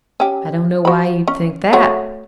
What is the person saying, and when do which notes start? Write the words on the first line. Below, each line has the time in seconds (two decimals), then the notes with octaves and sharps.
"I don't know why you'd think that."
0.20 C#4 G4
0.85 F#4 B5
1.28 C#4
1.73 A3 F#4 C#5